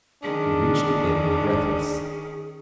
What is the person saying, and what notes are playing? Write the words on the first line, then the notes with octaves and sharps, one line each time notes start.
He reached the inn, breathless.
D#3 C#4 D4 G#4